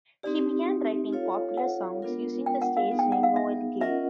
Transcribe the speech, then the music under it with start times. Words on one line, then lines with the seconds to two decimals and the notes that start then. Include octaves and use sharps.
He began writing popular songs, using the stage name Noel Gay.
0.23 C4 D#4 G4 D5
1.13 F4 A4 C#5 F5
1.57 F#5
2.02 G#3 B3 D4 F4 A#4
2.46 G5
2.62 F#5
2.77 F5
2.92 B3 D#4 G#4
2.99 G5
3.12 F#5
3.23 F5
3.36 E5
3.81 C#4 F4 A#4 D#5 E5 F#5